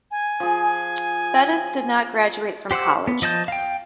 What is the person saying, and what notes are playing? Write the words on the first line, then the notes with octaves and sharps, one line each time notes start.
Bettis did not graduate from college.
G#5
F3 G#4
G4 C5 F#5 D6 E6
B3
F3 D#5 A5 G6
F5 G5